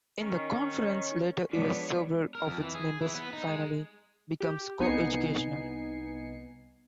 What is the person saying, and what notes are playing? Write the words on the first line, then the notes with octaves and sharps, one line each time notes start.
In the conference's later years, several of its members finally became co-educational.
D#3 C#4
F3 G3 G#3 B3 D4 C#5
A#4
F2
E3
G#4
E3
B3
D#4
G#3
G4
C2 B3 D#4 G#5 C7 C#7